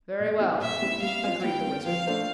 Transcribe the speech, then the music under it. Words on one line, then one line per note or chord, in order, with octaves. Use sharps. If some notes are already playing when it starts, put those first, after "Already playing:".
"Very well," agreed the Wizard.
A#2
G3 C4 E4
A#2 E5
G3 C4 E4
G3 F5
C4 F4
G3 G5
C4 F4
F3 F5
A3 D4 A4 C5